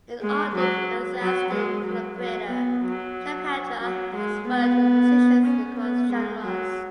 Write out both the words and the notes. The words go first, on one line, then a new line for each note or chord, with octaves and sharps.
An ardent and enthusiastic collaborator, Shubhendra has worked with musicians across genres.
G#3
F#3
F#3
G#3
F#3
F#3
B3
F#3
F#3
G#3
B3
C#4
B3
G#3
F#3